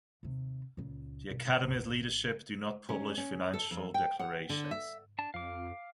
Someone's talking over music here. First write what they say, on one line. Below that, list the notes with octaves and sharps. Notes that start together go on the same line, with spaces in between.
The Academy’s leadership do not publish financial declarations.
D#2 C3
C#2 A#2
B1 G2
G#1 D2
C#4
C#4
A4
F2
G5
F#5
D3
E5
D4 A5
F2 F5 D6